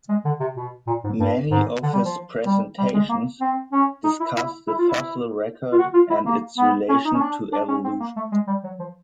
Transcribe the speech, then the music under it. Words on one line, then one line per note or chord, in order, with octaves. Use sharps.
Many of his presentations discuss the fossil record and its relation to evolution.
G#3
D3
C3
B2
A#2
G#2
G2
G#2
D3
G3
F3
G3
G3
G#3
A#3
C4
C#4
D#4
E4
E4
E4
F4
E4
F4
F#4
F4
E4
A#3
B3
C#4
D#4
C#4
D4
D4
C#4
C4
A#3
A3
G#3
G3
F#3
F3